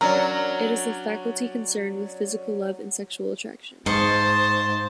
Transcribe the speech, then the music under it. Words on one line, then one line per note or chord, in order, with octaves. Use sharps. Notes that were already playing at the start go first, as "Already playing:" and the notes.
It is the faculty concerned with physical love and sexual attraction.
F#3 C#4 D4 A#4
G#2 C5 D#5 F5 A5 C#6